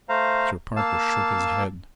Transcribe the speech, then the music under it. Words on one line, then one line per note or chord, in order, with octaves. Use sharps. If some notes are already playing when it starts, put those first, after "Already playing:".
Mr. Parker shook his head.
A3 C5 F5 A#5
A#3 F5 A5 E6